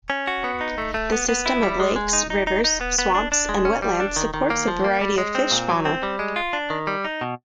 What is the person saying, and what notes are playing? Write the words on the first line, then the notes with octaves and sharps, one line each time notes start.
The system of lakes, rivers, swamps and wetlands supports a variety of fish fauna.
C#4
F#4
B3
D#4
A3
A3
B3
B3
E4
G3
G#3
G#3
D#4
D#4
D#4
D#4
B3
B3
D4
D4
G#3
C#4
G3
D4
D#3
D#3
A#3
F3
A#3
G3
G#3
C4
A#2
F#3
C4
G3
G#3
F4
D4
D#3
G3
D#4
B2